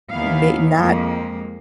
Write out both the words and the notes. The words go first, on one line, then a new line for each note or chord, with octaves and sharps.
ma not
D#2 D#3 B3 E4 F5
F2 G#3 A#3